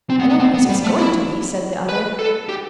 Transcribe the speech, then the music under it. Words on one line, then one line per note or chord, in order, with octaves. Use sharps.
"I know whose it's going to be," said the other.
C4
B3
B3
C4
B3
G3
A3
E4
B4
A4
G4